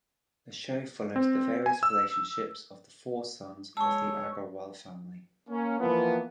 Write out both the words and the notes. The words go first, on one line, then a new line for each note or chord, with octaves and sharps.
The shows follows the various relationships of the four sons of the Aggarwal family.
C4
G#5
E6
G#3 C#5 A5 C#6 E6
A#3 C#4
E3 F3 A#3 B3